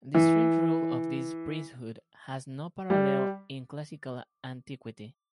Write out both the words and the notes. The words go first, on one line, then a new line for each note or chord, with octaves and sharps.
The strange rule of this priesthood has no parallel in classical antiquity.
E3
G3